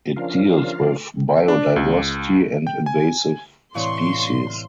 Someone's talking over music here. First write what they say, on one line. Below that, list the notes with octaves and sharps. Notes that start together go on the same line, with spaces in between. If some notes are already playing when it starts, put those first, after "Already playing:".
It deals with biodiversity and invasive species.
F3 C#4 D4 F4 A#4 F5
D4
C#2
G5
G#5
A2 C3 E3 C#5 D5 F5 C6 C#6